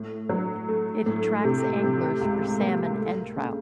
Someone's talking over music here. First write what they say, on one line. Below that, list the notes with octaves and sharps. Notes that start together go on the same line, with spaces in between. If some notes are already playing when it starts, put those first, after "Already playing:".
It attracts anglers for salmon and trout.
Already playing: A2
F#3
A3
A2
C3
C3
C#2
A#3
A3
C#3